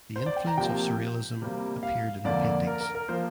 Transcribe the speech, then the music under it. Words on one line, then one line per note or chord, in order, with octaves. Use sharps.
The influence of surrealism appeared in her paintings.
C5
D5
G5
A#5
C3 F3 A#3 G5
C3 G3 A#3
F5
F2 D3 A#3 D5
A#4
A#4
A#4
F3 A#3 C5